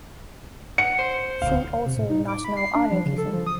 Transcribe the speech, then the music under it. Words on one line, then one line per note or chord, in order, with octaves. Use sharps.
See also National anarchism.
F#5 C#7
C5
D#1 D2 F5
C3
A2
D#4
D6
B5
C7
D4
F3
C#3
A4
F3
D#6